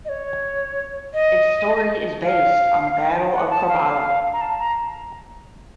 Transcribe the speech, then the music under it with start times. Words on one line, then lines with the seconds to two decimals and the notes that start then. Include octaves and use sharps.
Its story is based on the Battle of Karbala.
0.05 D#5
0.09 C#5
1.14 D#5
2.23 F5
3.33 F#5
3.50 A5
3.69 F5
4.33 A#5
4.41 A5
4.59 A#5